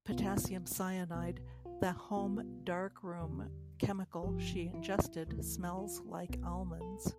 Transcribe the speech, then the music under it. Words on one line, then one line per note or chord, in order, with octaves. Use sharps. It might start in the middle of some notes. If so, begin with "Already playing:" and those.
Potassium cyanide, the home darkroom chemical she ingested, smells like almonds.
B1 B2 B3 F4
B1 B2 B3
F4
C2 B2 G3 B3 F4
E2 D3 G3
G1 G2 F3 G4
E4
D2 C3 E3 A3
F4
C2 B2 B3
A4